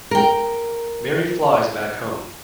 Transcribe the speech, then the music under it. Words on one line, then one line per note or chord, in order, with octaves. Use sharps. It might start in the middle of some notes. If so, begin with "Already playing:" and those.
Mary flies back home.
A#4 G5